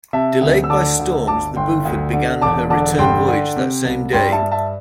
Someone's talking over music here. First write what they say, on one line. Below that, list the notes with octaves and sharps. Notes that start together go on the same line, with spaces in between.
Delayed by storms, the "Buford" began her return voyage that same day.
C3 E5 A5
D2
E6
D3 A5 D6
D2
G1 A5 D6
G1 G5 C6
D2
D3
E1 A5 D6
D3 A5 D6
G2 G5 C6
D3
C3
C2
G2 G5 C6
E5 A5
G2
E5 A5